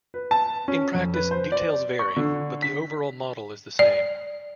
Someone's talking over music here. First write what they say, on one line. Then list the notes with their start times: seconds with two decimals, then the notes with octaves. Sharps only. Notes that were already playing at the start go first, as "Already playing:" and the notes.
In practice, details vary, but the overall model is the same.
0.14 B4
0.31 A5
0.68 C#4
0.94 F2
1.14 B4
1.31 C5
1.52 D5
1.99 C#6
2.17 D3
2.62 B6
3.79 D5